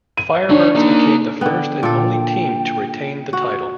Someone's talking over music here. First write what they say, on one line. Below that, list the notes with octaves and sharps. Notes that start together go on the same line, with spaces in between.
Firebirds became the first and only team to retain the title.
D#7
D3 D4 C#5
A#3 D#4
D3 B3 G5
A#2 A4
F#4